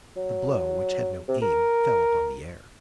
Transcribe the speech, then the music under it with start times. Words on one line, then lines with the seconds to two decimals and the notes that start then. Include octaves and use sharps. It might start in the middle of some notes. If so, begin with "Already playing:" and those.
The blow, which had no aim, fell upon the air.
0.16 F#3
1.28 C3
1.42 A#4